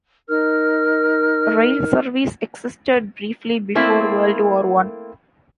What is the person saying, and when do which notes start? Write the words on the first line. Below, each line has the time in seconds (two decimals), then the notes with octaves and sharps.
Rail service existed briefly before World War One.
0.28 D#4 A#4 F6
3.75 A3 A#3 C4 E4